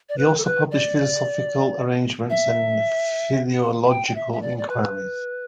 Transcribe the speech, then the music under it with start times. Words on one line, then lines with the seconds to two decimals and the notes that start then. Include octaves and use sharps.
He also published "Philosophical Arrangements" and "Philological Inquiries".
0.09 D5
0.18 B4
0.37 A4
0.45 B4
0.71 D5
2.30 E5
3.84 E5
3.89 G5
4.07 G5
4.15 E5
4.33 E5
4.42 D5
4.58 D5
4.69 B4